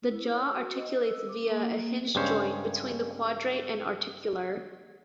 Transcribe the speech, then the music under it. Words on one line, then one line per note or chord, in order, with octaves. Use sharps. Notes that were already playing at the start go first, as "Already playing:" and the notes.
The jaw articulates via a hinge joint between the quadrate and articular.
E4
C#5
F#4
D#5
E6
D6
A#3
G2 C#3 G#3 C#4 C5 C#5